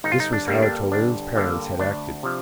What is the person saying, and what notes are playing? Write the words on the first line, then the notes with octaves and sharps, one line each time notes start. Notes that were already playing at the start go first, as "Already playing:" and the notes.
This was how Toline's parents had acted.
G1 D#4
F4
D#4
D4
G2 D3 G3 A#3
D4
G1 D4
G2 D3 G3 A#3
D2 D4
C3 F3